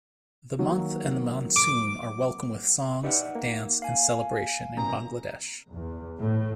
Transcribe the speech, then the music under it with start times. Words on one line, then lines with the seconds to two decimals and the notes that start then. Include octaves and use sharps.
The month and the monsoon are welcome with songs, dance, and celebration in Bangladesh.
0.59 D#3 F#3 A#3
1.56 D6
3.03 D#4 G4 B4 D5 E5 F#5
3.35 A#3
3.82 F5 G#5
4.77 C2 B2 G3 A#3 C#4 A#5
5.71 E2
6.20 A2